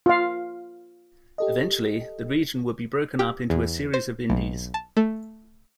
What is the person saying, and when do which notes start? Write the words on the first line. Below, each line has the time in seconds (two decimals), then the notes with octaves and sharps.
Eventually, the region would be broken up into a series of Indies.
0.06 F4 F5
1.38 G4 A4 D#5
3.19 G4
3.50 E2
3.94 C5
4.30 B1
4.74 A5
4.97 A3